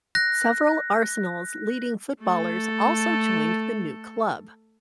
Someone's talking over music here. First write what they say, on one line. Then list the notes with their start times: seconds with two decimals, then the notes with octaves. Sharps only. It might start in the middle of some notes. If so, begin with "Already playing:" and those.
Several Arsenal's leading footballers also joined the new club.
0.15 F#6 A#6
2.22 A3 A4